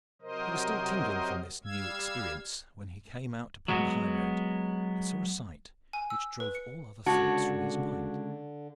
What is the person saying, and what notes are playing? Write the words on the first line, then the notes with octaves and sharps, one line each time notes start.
He was still tingling from this new experience when he came out upon the high-road and saw a sight which drove all other thoughts from his mind.
C3 F#3 A#4 C5 D#5
G3 F5 E6 G#6
F#3 G#3 B3 F#4
G#5
E6
B4
C#7
C#2 D3 D4 F#4 C#5 A5